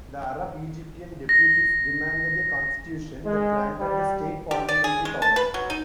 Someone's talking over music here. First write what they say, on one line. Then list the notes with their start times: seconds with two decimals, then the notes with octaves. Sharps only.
The Arab-Egyptian deputies demanded a constitution that granted the state parliamentary power.
1.29 A#6
3.25 G#3
3.77 G3
4.51 G4
4.69 D5
4.84 G#4
5.05 G#3
5.22 A5
5.36 B4
5.54 F#3
5.70 D#4